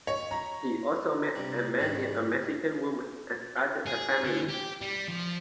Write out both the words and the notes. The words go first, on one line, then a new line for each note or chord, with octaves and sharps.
He also met and married a Mexican woman and started a family.
C#5
C#5 A#5 B5
C3 G3
G#2 D#3 G3
G#4
D3
G4
G3
F3